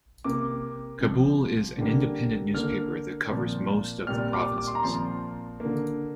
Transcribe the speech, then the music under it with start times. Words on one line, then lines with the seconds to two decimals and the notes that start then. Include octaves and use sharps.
Kabul is an independent newspaper that covers most of the provinces.
0.24 C3 A#3 D6
1.01 C3 F3 C4
1.78 D3 G3 A#3
2.54 D3 A#3 F6
3.31 A#2 F3 C4
4.07 A#2 G3 C4 F6
4.33 D6
4.58 D6
4.67 C6
4.75 A#5
4.83 A#2 F3 C4 C6
5.60 D3 A#3